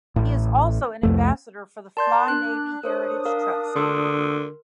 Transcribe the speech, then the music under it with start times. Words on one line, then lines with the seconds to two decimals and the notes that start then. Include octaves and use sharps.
He is also an Ambassador for the Fly Navy Heritage Trust.
0.16 A1 A2
1.03 C2 F2 A3
1.97 A#4 D5 A5 C6 G6
2.28 D4 F#6
2.84 D4 A#4 C5 C#5 D#6
3.26 A#4 F5
3.76 D3 C6 E6